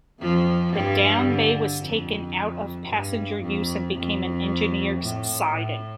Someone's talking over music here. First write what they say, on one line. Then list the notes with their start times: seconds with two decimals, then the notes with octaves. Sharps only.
The down bay was taken out of passenger use and became an engineer's siding.
0.21 F2 F3
0.74 G2 G3
1.28 D3
1.81 F2
2.88 G2
3.41 F2
3.96 F2
5.02 A2
5.55 A2